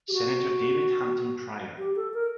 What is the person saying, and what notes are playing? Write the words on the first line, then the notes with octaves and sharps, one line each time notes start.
Senator David Hampton Pryor.
G4
F#4
G4
A4
A#4